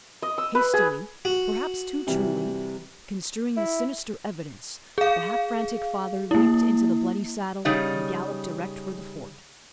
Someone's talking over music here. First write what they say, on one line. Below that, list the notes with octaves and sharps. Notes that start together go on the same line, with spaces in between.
Hastily--perhaps too truly--construing the sinister evidence, the half-frantic father leaped into the bloody saddle, and galloped direct for the Fort.
D#5
E6
B4
G#4
F#4
C3 E3 G3
E4
G#4 F5
A#3 E4
C#3 G3 D#4